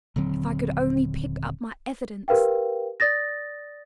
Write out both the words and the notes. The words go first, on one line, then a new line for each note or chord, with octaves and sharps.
If I could only pick up my evidence!
D#1 D3 F#3 C4
G4 A#4 B4 F5 G5
D5 D#6 A6 A#6